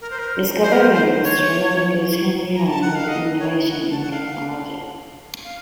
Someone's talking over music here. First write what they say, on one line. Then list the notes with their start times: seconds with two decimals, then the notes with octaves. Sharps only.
Discovery in astronomy goes hand in hand with innovation in technology.
0.01 A#4
0.10 C5
0.19 A#4
0.63 C5
0.73 A#4
0.82 C5
0.93 C5
1.24 C#5
2.55 A#5
2.68 A5
2.82 F#5
2.95 F5
3.08 D#5
3.39 C#5
3.70 F#5
3.91 A5
4.03 F#5
4.11 F5
5.44 F5